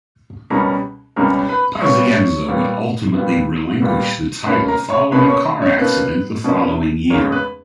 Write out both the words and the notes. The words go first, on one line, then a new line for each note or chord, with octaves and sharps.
Pazienza would ultimately relinquish the title following a car accident the following year.
C#2 B2 G3 C#4 A#4 A#5
C#2 B2 G3 C#4 A#4 A#5
B4 B5
A#2 G3 B3 C#5 C#6
A#2 G3 B3
A#2 G3 B3
A#2 G3 B3
B2 A#3 C#4 B4 B5
A#4 A#5
C#5 C#6
B2 A#3 C#4 B4 B5
C#5 C#6
C#4 C#5
B2 A#3 B3 C#4 B4
B2 A#3 C#4
E2 C#3 G#3 A#3 C#4 A#4
B3 B4